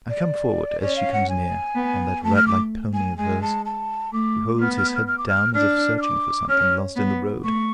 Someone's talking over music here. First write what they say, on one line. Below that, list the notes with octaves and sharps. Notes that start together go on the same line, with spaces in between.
I come forward as she comes near, on that rat-like pony of hers, who holds his head down as if searching for something lost in the road.
D5
C#4 D5
F5
F#5
G#5
B3
A3 A5
F6
D6
G#5
G#3 G#5
A5
A5
A3 D6
B3 F6
F6
F6
F6
D6
F6
D4 F6
F6
D6
C#4 F6
B3
A3 C#6